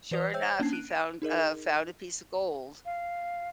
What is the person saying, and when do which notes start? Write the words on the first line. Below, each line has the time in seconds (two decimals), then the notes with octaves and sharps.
sure enough, he found, uh, found a piece of gold.
0.11 E3 B4 D5 D#6 F7
0.34 C5 C#5 E5 G5 E6 G6
0.60 A#3 C#4 D4 A5 G#6 C7
0.73 F#6 D7 D#7
1.22 D#4 G#4 A#4 D#5
2.86 F5